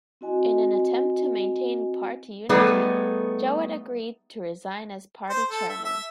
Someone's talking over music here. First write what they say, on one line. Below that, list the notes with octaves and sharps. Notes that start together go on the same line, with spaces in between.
In an attempt to maintain party unity, Jowett agreed to resign as party Chairman.
C4 E4 F#4 D#5 G#5
G3 A3 B3 D#4 G#4 A4
C5
A4
E5
E5